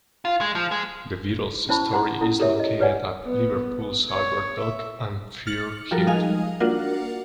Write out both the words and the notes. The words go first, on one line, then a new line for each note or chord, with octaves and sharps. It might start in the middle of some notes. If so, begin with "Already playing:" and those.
The Beatles Story is located at Liverpool's Albert Dock and Pier Head.
F4
G#3
F3
G#3
C#4 E4 C5 A5 B5 C#6
D4 C5 F#5 A#5 C6 D6
C#4 E4 A4
G4 A4 A#4 C#5 E5
G#4 D#5
G4 B4 C#5 D5 F#5 G#5
B3
C#5
E5
F6 A6 C#7 F#7
F3 G3 F4 F#4 A4 A#4
G#3 D#4 D#5 F5 G#5 F7
A#3 D4 F4 F#4 A#4 F#5